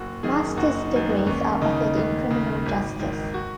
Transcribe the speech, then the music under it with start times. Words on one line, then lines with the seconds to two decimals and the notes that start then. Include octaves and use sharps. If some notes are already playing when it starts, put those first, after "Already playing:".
Master's degrees are offered in Criminal Justice.
Already playing: F#1 F#4
0.23 F#2 D#3 G#4
0.57 F#1 F#4
0.74 D#4
0.92 F#2 D#3
1.09 B3
1.26 D#2 C#4
1.61 C#3 D#4
1.96 D#2
2.31 C#3
2.66 G#1
2.99 G#2 D#3
3.34 F#4